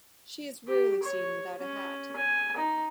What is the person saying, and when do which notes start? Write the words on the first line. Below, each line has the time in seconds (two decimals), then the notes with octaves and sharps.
She is rarely seen without a hat.
0.67 G4
1.03 C#5
1.60 C#4
2.16 G#5
2.57 D#4